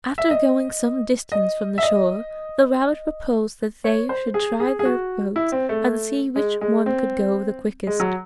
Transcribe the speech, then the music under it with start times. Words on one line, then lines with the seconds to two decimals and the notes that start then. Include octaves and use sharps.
After going some distance from the shore the rabbit proposed that they should try their boats and see which one could go the quickest.
0.18 E5
0.31 D#5
1.32 D#5
1.78 E5
1.83 D#5
3.84 C#5
4.09 C5
4.34 G#4
4.60 G#4
4.79 G#4
4.85 F#4
5.36 E4
5.52 C4
5.69 A3
6.36 G#3
6.61 G#3
6.86 C4
7.87 G#3
8.00 F#3